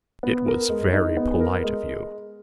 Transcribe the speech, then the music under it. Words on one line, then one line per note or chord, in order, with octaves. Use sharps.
"It was very polite of you."
B3
A#4
G#3
D#4
B3
A#4
G#3